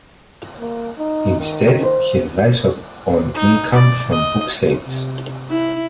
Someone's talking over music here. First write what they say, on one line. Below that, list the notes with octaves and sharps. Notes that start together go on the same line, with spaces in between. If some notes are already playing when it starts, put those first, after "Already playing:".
Instead, he relies on income from book sales.
A#3
D#4
D#3
C5
D#4
D5
D#5
C3
E4